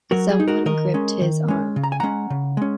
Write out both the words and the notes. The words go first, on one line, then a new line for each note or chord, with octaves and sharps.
Someone gripped his arm.
F#3 F#4 A#4
G#4
D#4
F#4 A#4
D#3 A#4 D#5
G#3 C#4
D#3
G#3 C#4
C#3
A#5
G#5
G#3 C#4 F#5 A#5
C#3
G#3 C#4